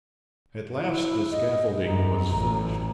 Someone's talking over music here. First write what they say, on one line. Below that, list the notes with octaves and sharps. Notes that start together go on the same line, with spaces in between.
At last the scaffolding was finished.
E4
D#5
F#2 A#5
A1